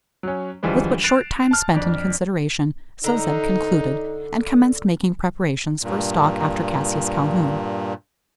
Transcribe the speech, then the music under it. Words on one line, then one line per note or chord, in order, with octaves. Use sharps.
With but short time spent in consideration, so Zeb concluded; and commenced making preparations for a stalk after Cassius Calhoun.
F#3 C#4
D2 E3 F3 G3 G#3
F#6 A6 C7 D7 E7 F7
A5 F6
F2 D4
D3 D#4 A#5
G2 A#2